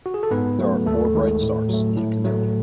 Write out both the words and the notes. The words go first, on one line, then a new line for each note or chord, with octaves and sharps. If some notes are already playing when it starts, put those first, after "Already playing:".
There are four bright stars in Chamaeleon.
F#4
G#4
A4
G#2 B3 B4
F#3 A3
D#2 A3 A4
D#3 G#3
A2
F#3 A3
A2
F#3 A3